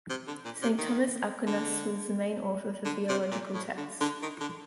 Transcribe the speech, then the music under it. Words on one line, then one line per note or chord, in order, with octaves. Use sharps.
Saint Thomas Aquinas was the main author for theological texts.
C3
D3
A#2
C3
D#3
D3
D3
C3
A#2
A2
D3
D3
D#3
D3